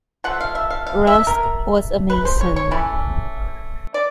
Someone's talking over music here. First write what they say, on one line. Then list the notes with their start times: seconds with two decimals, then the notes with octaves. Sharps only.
Rusk was a Mason.
0.24 F3 A3 F#5
0.41 F5
0.55 E5
0.70 F5
0.87 F5
1.07 E5
1.27 A#4
2.10 B4
2.25 C5
2.41 C#5
2.56 C#5
2.71 E3 A3 C#4 E4
3.94 D5